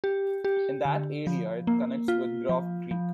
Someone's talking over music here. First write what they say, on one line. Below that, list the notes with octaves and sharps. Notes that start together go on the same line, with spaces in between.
In that area, it connects with Groff Creek.
G4
G4
D3
F3
A#3
F4
F3
F3